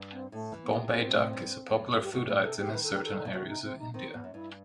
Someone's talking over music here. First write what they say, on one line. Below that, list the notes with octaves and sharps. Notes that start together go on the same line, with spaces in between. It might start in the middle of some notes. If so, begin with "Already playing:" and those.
The Bombay duck is a popular food item in certain areas of India.
Already playing: G2
C4
A2 A3
E3
B3
C3
B2 C4
A2
G2
E2
F#2
G2
G4
G2 F#4
A2 B4
C3 A4
E3 G4
C3
D#3 B4
A4
G4
A4
B2
C3 F#4
D#4
C4
D#4
D#3 C4
E2 B3
F#2
G2 E4